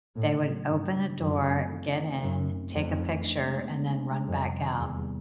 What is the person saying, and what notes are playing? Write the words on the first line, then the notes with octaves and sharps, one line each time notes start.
they would open the door, get in, take a picture, and then run back out.
A2 A#3
C#3
F#3
G2 D4
A#3
C#3
F#2 F4
A3
C4
A4
F4
A3
F#2 D#4
A3
C4
F2 A3
D#4
A3
D4
G#3
B3
G#3
D4
G#3
F2 G3
C3
D#3
E2 A#3
G3